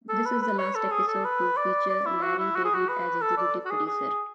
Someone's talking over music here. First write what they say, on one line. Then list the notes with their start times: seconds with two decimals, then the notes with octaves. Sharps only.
This is the last episode to feature Larry David as executive producer.
0.09 A4
0.25 B4
0.42 B4
0.58 C#5
0.75 A4
0.91 G#4
1.08 A4
1.24 B4
1.57 D5
1.90 D5
2.06 E4
2.23 F#4
2.39 E4
2.55 F#4
2.65 G#4
2.74 F#4
2.88 B4
3.21 A4
3.37 D5
3.65 F#4
3.70 G#4
3.87 G#4